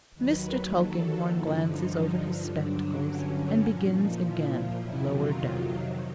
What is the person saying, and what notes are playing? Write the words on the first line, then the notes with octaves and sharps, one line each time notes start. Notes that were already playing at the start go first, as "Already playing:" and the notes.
Mr. Tulkinghorn glances over his spectacles and begins again lower down.
D#2 D#3 F#3 B4
B4
A4
G2 D3 F3 E4
D#4
G2 D3 F#3 D4
D4
C#4
A#2 F3
D#4
E4
F4
F2 C3 D#3 F#3 E4
F4